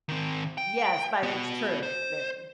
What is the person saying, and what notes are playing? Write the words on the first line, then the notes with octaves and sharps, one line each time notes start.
Yes, but it's true, very.
D#3 C4
G5
B3 F#4
C5